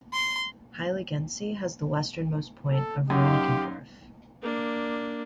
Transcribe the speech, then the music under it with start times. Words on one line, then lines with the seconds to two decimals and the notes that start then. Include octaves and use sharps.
Heiligensee has the westernmost point of Reinickendorf.
0.13 C6
2.69 A4
3.10 F#2 D#4 G4 F5 C6
4.43 A#3 D4